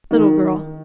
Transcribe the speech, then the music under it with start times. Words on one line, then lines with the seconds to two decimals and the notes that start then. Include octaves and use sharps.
Little girl.
0.11 D#3